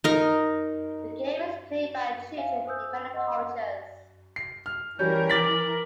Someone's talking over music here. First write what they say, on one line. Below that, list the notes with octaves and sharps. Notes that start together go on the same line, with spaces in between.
The game is played by children in many cultures.
D#4 A#4
E5 F5 G#5
C5 G#5 D#6 E6 G6
D#5 F#5 C6 E6
C7
F6
E3 G3 C#4 A#4 G6
D6 A6 B6 F#7